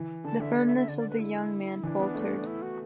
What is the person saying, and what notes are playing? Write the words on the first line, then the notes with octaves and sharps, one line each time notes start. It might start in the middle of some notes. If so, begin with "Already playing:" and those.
The firmness of the young man faltered.
Already playing: E3
D3 A5
D3 E5
D5
E5
E5
D3 D5
D5
B4
E4
E3 D4
B3
A3
E4
F#4